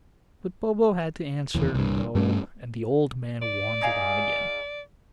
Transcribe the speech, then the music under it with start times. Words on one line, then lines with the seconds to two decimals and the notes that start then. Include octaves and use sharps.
But Bobo had to answer "No," and the old man wandered on again.
1.55 F1 D#2 E3
1.74 C2 G2
2.15 G2 G3 A3 C#4
3.42 D5
3.81 D#4 G#4 F5